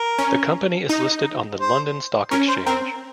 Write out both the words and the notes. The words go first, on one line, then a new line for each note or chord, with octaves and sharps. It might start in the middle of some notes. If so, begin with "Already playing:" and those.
The company is listed on the London Stock Exchange.
Already playing: A#4
C#4
D#4
C5
C#4 A#4
C5
C4 A#4